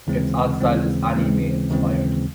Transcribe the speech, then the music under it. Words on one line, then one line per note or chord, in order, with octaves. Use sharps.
Its art style is anime-inspired.
D#2 C#3 E3 G#3 C4
D#2 C#3 E3 G#3 C4
D#2 C#3 E3 G#3 C4
D#2 C#3 E3 G#3 C4